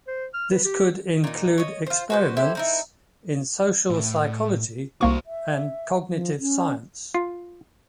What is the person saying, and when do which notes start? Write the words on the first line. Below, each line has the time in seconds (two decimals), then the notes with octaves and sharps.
This could include experiments in social psychology and cognitive science.
0.07 C5
0.34 F6
0.51 B4
0.64 G4
1.24 A#2 D#4
1.58 C#5 D#5
1.86 F4 C5
2.10 F#4 B4 C5
2.37 E4 G4 A4 C5
2.55 C4 D#4 E4
3.90 A2
5.01 C2 A#3 F#4 C5 C#6
5.25 E5
6.12 F3
6.40 C#4
7.14 F4